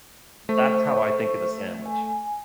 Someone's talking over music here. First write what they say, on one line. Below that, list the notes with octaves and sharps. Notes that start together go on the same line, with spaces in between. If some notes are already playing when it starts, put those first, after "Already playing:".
That's how I think of a sandwich.
A3 C5 C#6
G#5